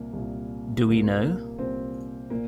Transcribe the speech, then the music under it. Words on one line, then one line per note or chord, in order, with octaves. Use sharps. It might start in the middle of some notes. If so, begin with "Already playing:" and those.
Do We Know!?
Already playing: C2 A#2 A#3
C2 A#2
C2 A#2 A#3
A#3
C2 A#2 C4
A#2 A#3